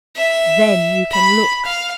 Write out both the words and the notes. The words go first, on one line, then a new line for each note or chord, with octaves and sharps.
Then you can look.
E5
B5
F5